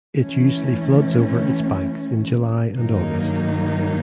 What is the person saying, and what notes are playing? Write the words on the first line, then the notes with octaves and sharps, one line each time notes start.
It usually floods over its banks in July and August.
E3 A3 C#4
G2 D#3 F#3 A#3 D#4